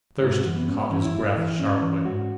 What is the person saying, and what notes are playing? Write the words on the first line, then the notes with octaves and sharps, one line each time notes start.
Thurston caught his breath sharply.
G#2 E4
F#4
E3
B3
G#2 C#4
B3
E3 C#4
E4
G#2
E3
G#2 C#4
E3
G#2 F#4